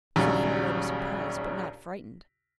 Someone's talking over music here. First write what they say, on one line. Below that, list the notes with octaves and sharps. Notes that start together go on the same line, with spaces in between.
So far, I was surprised, but not frightened.
A#1 D#2 C#3 F#3 G3